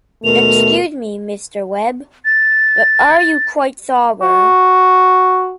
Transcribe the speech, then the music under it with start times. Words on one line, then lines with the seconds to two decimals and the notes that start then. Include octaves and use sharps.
Excuse me, Mr. Webb, but are you quite sober?
0.24 D#2 B2 A3 A#4 F7
2.25 A6
4.22 F#4